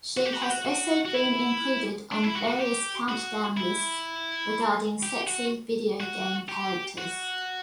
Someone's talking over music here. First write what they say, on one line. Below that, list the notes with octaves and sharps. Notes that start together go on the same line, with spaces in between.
She has also been included on various countdown lists regarding sexy video game characters.
F#4
G4
F#4
G4
F#4
F#4
F#4
E4
D4
E4
F#4
F#4
G4
F#4
E4
G4
F#4
F#4
G4
F#4